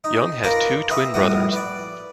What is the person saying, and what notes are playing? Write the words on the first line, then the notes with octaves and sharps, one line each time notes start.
Young has two twin brothers.
D#4
F4 A#4 B4 D5 A#5
G4 B4 D#5 E5
A#1 A2 G3 B3 F#4 D#6
B4 D5